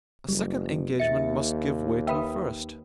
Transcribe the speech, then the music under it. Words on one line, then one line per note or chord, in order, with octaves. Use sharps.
A second engagement must give way to a first.
F#1 G3
D#2 E5 A6 C#7
B4 E5 G5 B5 D#6